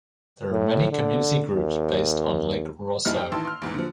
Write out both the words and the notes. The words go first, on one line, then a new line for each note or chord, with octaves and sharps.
There are many community groups based on Lake Rosseau.
A2
D3
D#2
F1 F2 G3 D#4 E4 F6
G4 G5
A1 D#3 E3 A5 C6 E6
C6 F6
A1 E2 G#2
D3 F3